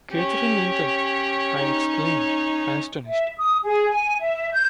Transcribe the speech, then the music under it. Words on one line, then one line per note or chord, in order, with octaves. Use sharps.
Catherine Linton?’ I exclaimed, astonished.
C#4 G4 C#5
D#4
E5
D#6
G#4
G#5
E5
G6